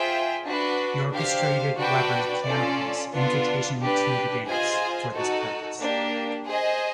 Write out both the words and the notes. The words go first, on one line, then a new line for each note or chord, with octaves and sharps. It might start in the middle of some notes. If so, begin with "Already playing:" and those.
He orchestrated Weber's piano piece "Invitation to the Dance" for this purpose.
Already playing: F4 G#4 C5 E5 G5
D4 F#4 B4
D4 G4 C5 F5
D4 F#4 B4 D5 G5
C#4 F4 A4 D5
B3 D4 F4
D4 G4 B4
F4 G#4 C5 D#5 G#5
D#4 F#4 A4
A#3 D4 G4
G#4 C5 D#5 G#5